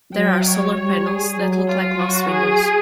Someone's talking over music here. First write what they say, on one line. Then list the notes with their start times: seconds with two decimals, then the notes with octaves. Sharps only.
There are solar panels that look like glass windows.
0.14 F#3 G5
0.45 C#5
0.76 G3
1.07 G#4
1.37 F#3
1.68 F4
1.99 F#3 F#4
2.30 G#4